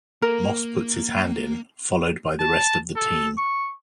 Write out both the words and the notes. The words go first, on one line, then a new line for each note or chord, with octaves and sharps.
Moss puts his hand in, followed by the rest of the team.
A#3 A#4
A5
A4
C#6